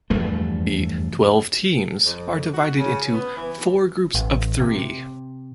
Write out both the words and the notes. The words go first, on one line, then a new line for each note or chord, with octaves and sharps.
The twelve teams are divided into four groups of three.
F1 E2 G2 A3
F2
F#4
C#3
B3
E3
A1
C3